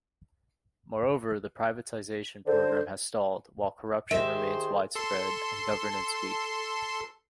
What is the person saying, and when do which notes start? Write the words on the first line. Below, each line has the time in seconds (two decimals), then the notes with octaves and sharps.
Moreover, the privatization program has stalled, while corruption remains widespread and governance weak.
2.46 D3 C5
4.11 D#3 G4 G#4 C5 E5
4.95 A4 C6